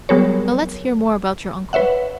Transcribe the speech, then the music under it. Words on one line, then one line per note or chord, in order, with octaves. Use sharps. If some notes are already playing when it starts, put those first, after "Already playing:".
"Now let's hear more about your uncle."
F#3 G3 B3 G#4 A#4 C#5
B4 C#5 E5 F#5